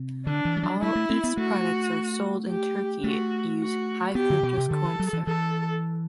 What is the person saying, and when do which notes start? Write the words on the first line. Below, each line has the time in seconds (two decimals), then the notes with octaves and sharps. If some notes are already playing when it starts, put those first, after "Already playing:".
All Efes products sold in Turkey use high fructose corn syrup.
Already playing: C3
0.26 D3 D4
0.45 E3
0.56 G3
0.63 F#3
0.82 G3 E4
0.95 A3
1.10 C4
1.24 B3
1.37 A3 F#4
2.49 G4
3.04 A3 F#4
3.60 F#4
4.15 B3 G4
4.30 D3
4.43 B2
4.57 C3
4.71 D3 A4
4.85 E3
4.99 F#3
5.13 E3
5.27 E3 A4